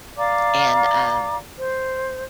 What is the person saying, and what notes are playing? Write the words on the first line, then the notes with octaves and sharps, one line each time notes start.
and, um,
D5 F5 A#5 D6
C5